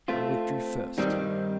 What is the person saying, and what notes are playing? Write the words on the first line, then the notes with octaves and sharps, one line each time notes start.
I withdrew first.
A3 C4 F4
G2 D#3 G3 C4 D#4